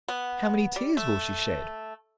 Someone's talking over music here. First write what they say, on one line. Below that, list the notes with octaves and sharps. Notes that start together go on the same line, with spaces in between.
How many tears will she shed?
B3
G3
A3